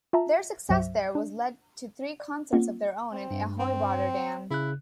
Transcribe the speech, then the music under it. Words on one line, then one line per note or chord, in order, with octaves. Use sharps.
Their success there led to three concerts of their own in Ahoy Rotterdam.
F4 E5 A5 A#5
C2 G2 F#3 C5 E5
D4
D5
A#3 C4 C#4 F4 F#5
C4
G2
C4
C#3 E4 F#6